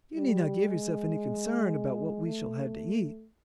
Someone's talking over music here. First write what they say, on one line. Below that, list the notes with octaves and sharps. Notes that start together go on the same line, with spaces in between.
You need not give yourself any concern about what we shall have to eat.
G3
G#3
A3